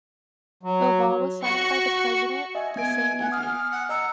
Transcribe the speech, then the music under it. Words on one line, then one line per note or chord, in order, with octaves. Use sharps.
The law was signed by the President the same evening.
F#3
F#4 C#6
D#5 E5 G#5
B3 G#5 G#6 D7
F#5 G#5
D#6 F6
F#5
D#5 A#5 E6 C#7